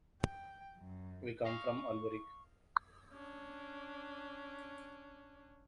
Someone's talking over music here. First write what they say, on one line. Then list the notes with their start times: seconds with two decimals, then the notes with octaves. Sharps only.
We come from Alberic.
0.22 G5
0.77 F#2
1.45 D#5 F5 C#6
3.13 C#4 D4